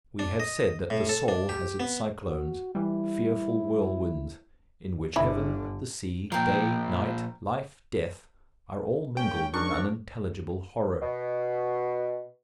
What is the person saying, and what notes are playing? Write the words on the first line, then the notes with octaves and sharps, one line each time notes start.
We have said that the soul has its cyclones--fearful whirlwinds, in which heaven, the sea, day, night, life, death, are all mingled in unintelligible horror.
D4
D#5
A2
A4
D4
G4
B3
F#4
E3 G3 E4
G1 D3 E4 B5
A#2 F3 A#4 G5
G#3 A#3 C#4 G5
G#2 C#4 D4 A#4 C#6
B2